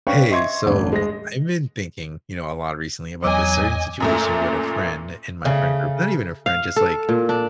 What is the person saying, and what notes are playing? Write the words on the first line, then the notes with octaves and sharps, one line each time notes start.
Hey, so I've been thinking, you know, a lot recently about this certain situation with a friend in my friend group. Not even a friend, just, like,
C#4 D4 B4 F5 G5 C#6
D#5 E5 C6 C#6 G#6
A1 E2 G2 D3
G#3 A#6
E2 F#3 D#5 G#5 D6
F#2 A#2 A3
C#3 A3
F5
A4
A#2
D4